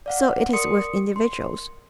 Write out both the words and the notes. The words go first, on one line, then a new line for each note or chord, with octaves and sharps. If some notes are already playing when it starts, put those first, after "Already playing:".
So it is with individuals.
D5 F5 F#5
A#4 D5 C6 D#6 C#7
C6